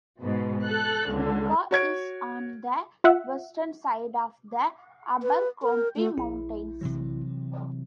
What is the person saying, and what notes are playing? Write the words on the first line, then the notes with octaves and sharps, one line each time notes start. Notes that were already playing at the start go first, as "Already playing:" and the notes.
Bigga is on the western side of the Abercrombie Mountains.
G#2 B2
A4 F#6
C#2 D3
F#4 C#5 G#6 D7
F4 E5 F#5
B4
A#4
A3
A#1 E4
C3 E3 F#3